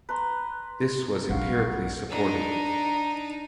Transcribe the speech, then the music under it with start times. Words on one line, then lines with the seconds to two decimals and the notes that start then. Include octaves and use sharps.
This was empirically supported.
0.09 B4 A#5 C6
1.29 A#1 F#3 F5 F#5 C#6
2.10 D4 D#4